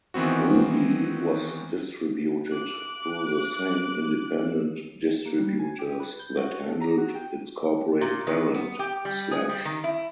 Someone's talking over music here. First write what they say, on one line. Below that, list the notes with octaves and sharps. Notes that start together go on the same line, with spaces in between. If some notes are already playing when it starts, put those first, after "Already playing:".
Ruby was distributed through the same independent distributors that handled its corporate parent, Slash.
D#3 E3 B3 C4 F#4
D6 F#6
A#3
G3
G#5
G4
B4
G6
F#4
A4
A#5
F#4
G5
A#2
D#3
B3
G4
G3
G#4
G3
D#3
E4